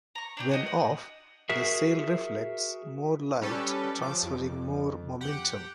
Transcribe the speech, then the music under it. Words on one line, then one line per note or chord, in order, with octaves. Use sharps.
When off, the sail reflects more light, transferring more momentum.
A#5 C#6
D4 E4 G4
F#4 D#5
F#5
F#4 G#4 A#4 E5
G3 C#4 G4 A4 B4
F3 D6
F2
G4 F#5 G5